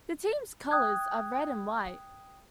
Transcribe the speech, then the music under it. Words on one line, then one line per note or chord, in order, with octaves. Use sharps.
The team's colours are red and white.
G5 D#6 F#6 G#6